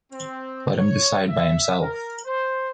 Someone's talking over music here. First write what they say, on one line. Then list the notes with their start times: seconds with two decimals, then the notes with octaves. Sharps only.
Let him decide by himself.
0.11 C4
0.79 C#5
1.28 E5
1.83 A#4
2.25 C5